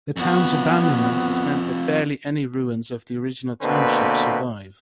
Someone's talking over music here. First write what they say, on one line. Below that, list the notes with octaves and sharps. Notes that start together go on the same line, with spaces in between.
The town's abandonment has meant that barely any ruins of the original township survive.
F2 B3 F#4
B2 D3 A#3 C4 B4